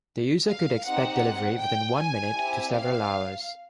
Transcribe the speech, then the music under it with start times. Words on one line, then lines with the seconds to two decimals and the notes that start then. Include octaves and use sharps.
The user could expect delivery within one minute to several hours.
0.49 F5
0.87 C4 D#4 G4 F#5
1.61 G5
1.98 G#5
2.35 C4 E4 G4
2.73 F5